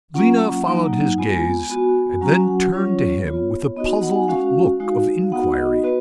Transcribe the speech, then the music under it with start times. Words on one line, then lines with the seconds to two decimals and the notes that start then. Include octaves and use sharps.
Lena followed his gaze, and then turned to him with a puzzled look of inquiry.
0.14 F#3 A#3 C#4 F4 F#5
0.67 F#3 A#3 D#4
1.18 G#3 B3 F4 G#5
1.70 B3 F#4
2.21 F#3 C#4 F#4 A#5
2.34 G#5
2.48 F#5
2.73 F#3 C#4 F4 C#5
3.25 B3 F4
3.76 B3 D#4 F#4 D#5
3.90 D#5
4.03 F#5
4.15 G#5
4.23 F#5
4.28 G#3 C#4 F#4 F5
4.80 G#3 D#4 F#4
5.32 B3 D#4 F#4 F#5
5.58 D#5
5.83 B3 F#4 B4